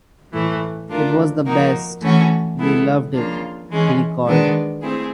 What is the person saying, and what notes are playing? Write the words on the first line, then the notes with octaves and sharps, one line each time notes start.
It was the best, we loved it, he recalled.
A2 E3 A3
A3 D4 F4 A#4
F3 A#3 D#4 F#4 A#4
E3 A3 C#4 F#4
G#3 B3 E4 A4
C#3 F3 A#3 D4 F4
E3 G#3 C#4
D#3 G#3 B3 D4
A3 C4 E4 G#4